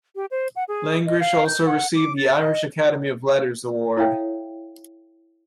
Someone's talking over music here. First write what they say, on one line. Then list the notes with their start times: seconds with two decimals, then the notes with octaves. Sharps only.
Langrishe also received the Irish Academy of Letters Award.
0.16 G4
0.31 C5
0.56 F#5
0.68 G#4
1.06 D#5
1.20 F5
1.46 G6
1.66 F#5
1.95 D6
2.17 A6
2.37 D#5
3.97 E4 A4 C#5 E5 F5 G5